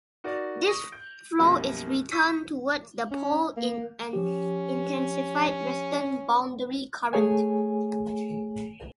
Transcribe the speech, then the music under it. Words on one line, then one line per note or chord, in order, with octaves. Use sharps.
This flow is returned towards the pole in an intensified western boundary current.
D#4 F#4 A#4 D5
C#6 D#6 A#6
G6 D7
B1 F#2 B2 F3 G3 A#3
C#6 E6 G6 B6 D#7
C#4
A#3
F3 C#4 G4
A3 G#4 C#5 G#5